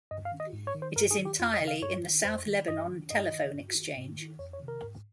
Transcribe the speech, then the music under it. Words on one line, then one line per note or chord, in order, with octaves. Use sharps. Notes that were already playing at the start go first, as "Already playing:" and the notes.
It is entirely in the South Lebanon telephone exchange.
G2 D#5
F5
D#3
D#5
G#2
C#5
D#3
C5
G2 A#4
G#4
D#3
G4
F2 F4
D#5
C#3
F5
G2 C#5
D#3
F2 C5
D#3
G2 D#5
D#3
G2 D#5
D#3
G2
D#3
G#2
D#3
F2 C#5
C#5
C3 D#3
A#4
G#2